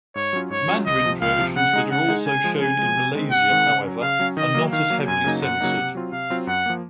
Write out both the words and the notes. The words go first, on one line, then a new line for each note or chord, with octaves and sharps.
Mandarin versions that are also shown in Malaysia however, are not as heavily censored.
G#2 C#5
F#3 C#4 F4
G#2 C#5
F#3 C#4 F4
C#2 D#5
C3 F3
C#2 F5
C3 F3
C#3 F#5
G#3 D#4 G#4
C#3 F#5
G#3 D#4 G#4
C#3 G#5
F3 G#3
C#3 G#5
F3 G#3
C3
D#3 G#3 C4
C3 F#5
D#3 G#3 C4
C#3
F#3 C#4
C#3 F5
F#3 C#4
D#3 D#5
F#3 A#3
D#3 F5
F#3 A#3
F#2 G#5
C#3 F#3 A#3 D#4
F#2 F#5
C#3 F#3 A#3 D#4
C3
F#3 C4 F4
C3 F5
F#3 C4 F4
F#2 F#5
F3 A#3